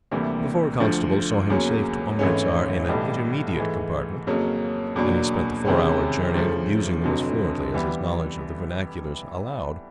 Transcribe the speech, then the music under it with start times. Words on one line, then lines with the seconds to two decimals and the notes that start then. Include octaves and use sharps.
The four constables saw him safe to Umritsar in an "intermediate" compartment, and he spent the four-hour journey in abusing them as fluently as his knowledge of the vernaculars allowed.
0.11 D2 C3 E3 G3 A#3
0.80 D2 D3 F3 A3
1.50 E2 C#3 F#3 A#3 C#4
2.19 G#1 G#2 E3 A3 C#4
2.88 B1 A2 E3 G3
3.57 G#2 E3 A3
4.27 F2 C#3 F#3 A#3 C#4
4.96 E2 B2 F#3 A#3 D4
5.65 E2 C3 D#3 G#3 C#4
6.35 D2 C#3 F3 A3
7.04 F1 F2 D3 F#3
7.74 E3 G3 B3